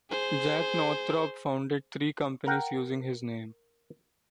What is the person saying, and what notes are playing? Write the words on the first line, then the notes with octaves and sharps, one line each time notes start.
Jack Northrop founded three companies using his name.
G#4 C5
A#4 F#5 G5